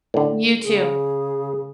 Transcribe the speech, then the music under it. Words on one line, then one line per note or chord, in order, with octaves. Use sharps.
You too.
A2 D3
C#3 G#4